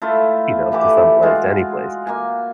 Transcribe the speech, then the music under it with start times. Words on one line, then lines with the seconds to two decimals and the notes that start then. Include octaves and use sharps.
you know, to someplace, to anyplace.
0.02 A3 E4 F4
0.72 D3 E3 G4 D6
1.22 G#3 F4 F#4
2.07 A#3 G#5